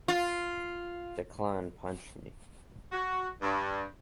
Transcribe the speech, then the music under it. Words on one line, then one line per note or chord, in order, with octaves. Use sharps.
Declan punched me.
F4
F#4
G2